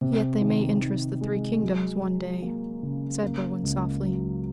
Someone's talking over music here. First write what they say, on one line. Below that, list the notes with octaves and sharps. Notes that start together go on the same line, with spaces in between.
"Yet they may interest the three kingdoms one day," said Berwin softly.
C3
D#3
D#3
G#3
F#3
F#3
A#3
C#3
A#3
C#2
F#3